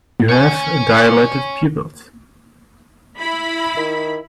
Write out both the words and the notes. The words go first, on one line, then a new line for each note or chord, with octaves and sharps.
You have dilated pupils.
C#5 G#5
E4 B5
D#3